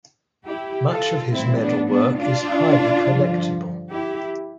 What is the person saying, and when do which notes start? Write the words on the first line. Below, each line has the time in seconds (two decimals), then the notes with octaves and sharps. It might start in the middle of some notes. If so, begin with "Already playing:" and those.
Much of his medal work is highly collectible.
0.45 E4 G4
0.88 F4 A4
1.31 A2 E3 G3 C4 E4
1.59 B3 D4
1.88 B3 D4
2.17 D4 F4
3.03 G2 D3 F3
3.89 E4 G4